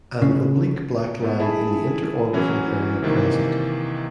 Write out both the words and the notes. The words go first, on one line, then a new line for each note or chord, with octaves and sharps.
An oblique black line in the interorbital area present.
C#3
A2 A3 B3
E4 G#4 E5 A5 B5
E3 F#3 C#4 E4
C3 D#3 E3 A#3